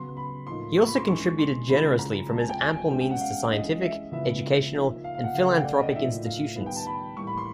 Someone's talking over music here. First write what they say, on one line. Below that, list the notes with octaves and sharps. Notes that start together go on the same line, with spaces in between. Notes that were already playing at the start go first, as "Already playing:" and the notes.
He also contributed generously from his ample means to scientific, educational, and philanthropic institutions.
Already playing: C#3 F#3 B3 C6
B5
A2 F3 A#3 D#4 C6
C#6
B5
C6
D#3 G#3 C#4 E4 C#6
C6
C#3 F3 G#3 C#4 E4 B5
A#5
C3 F3 G#3 A5
G#5
G5
G#5
B2 G#3 C#4 G5
G5
F#5
F5
E3 G#3 C#4 D#5
E5
C#3 F3 G#3 B3 E4 E5
F3 A#3 D#4
F5
F5
F#5
C#3 F#3 A3 F5
F#5
G5
D5
D#5
A2 F3 A#3 D#4 E5
F5
D#3 G3 B3 D#4
G5
A5
B5
A2 E3 G3 A#3 C#6
B5
C6